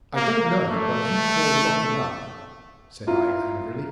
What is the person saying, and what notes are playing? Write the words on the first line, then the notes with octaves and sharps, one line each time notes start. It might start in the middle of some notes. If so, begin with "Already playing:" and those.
"I don't know what you call locking up," said I, angrily.
A#3
A3
E4 F4 A#5